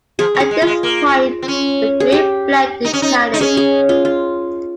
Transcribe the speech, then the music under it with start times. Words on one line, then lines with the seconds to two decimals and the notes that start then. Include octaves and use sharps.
At this point the group fled in panic.
0.19 F3 G#4
0.35 G3
0.40 G#4
0.51 G#3
0.62 F4
0.67 G#3
0.83 A#3
1.42 C4
1.48 C#4
2.00 G#4
2.12 G4
2.85 D#4
2.93 C#4
3.02 D#4
3.34 D#4
3.40 C#4 G#4
3.57 G#4
3.89 F4
4.05 F4